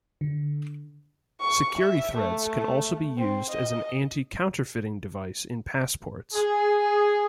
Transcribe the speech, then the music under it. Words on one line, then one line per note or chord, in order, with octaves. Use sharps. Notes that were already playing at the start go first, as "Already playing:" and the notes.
Security threads can also be used as an anti-counterfeiting device in passports.
D3
C#6
E5
A3
C4
D#5
G#4